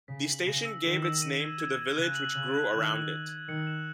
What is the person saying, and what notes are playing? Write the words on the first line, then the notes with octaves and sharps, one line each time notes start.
The station gave its name to the village which grew around it.
C#3 B6
F#7
C#3 A#6
E6
D#3 E7
E6
D#7
G#6
G#6
G#6
C#3 F#6
F#7
C#3 F#7
F#6
D#3 G#6
G#6
G#6
G#6
D#3 C#7
E7